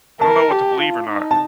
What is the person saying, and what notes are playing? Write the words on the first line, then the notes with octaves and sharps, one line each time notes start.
I don't know what to believe or not.
A#4 A5
G4
F4
D#4
A5